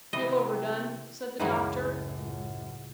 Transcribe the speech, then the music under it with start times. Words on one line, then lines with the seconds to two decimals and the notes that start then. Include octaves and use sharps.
"Feel overdone?" said the doctor.
0.13 C3 E3 D#5
1.40 C#2 F#2 A2 D#3 E3 F#3 G#3